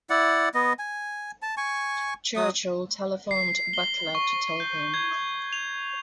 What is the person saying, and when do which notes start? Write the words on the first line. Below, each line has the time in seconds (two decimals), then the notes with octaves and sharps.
Churchill telephoned Butler to tell him.
0.10 E4 D5 F#5
0.54 B3 D#5
0.79 G#5
1.42 A5
1.57 G#5 C#6
2.36 F#3 D#6
3.31 C7
3.73 G7
4.15 C#6
4.60 G6
4.94 G#6
5.53 F7